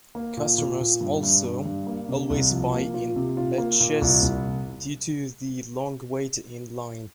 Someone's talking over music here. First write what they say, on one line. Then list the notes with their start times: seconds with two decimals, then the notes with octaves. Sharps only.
Customers also always buy in batches due to the long wait in line.
0.15 A#3
0.37 A#2
0.58 A#2
0.80 A#2
1.01 G2
1.23 G2
1.44 G2
1.66 G2
1.87 A#3
2.08 C3
2.30 C2
2.51 F3
2.72 A#3
2.94 F4
3.16 C3
3.37 F4
3.58 A#3
3.80 A#2
4.02 C2
4.22 C2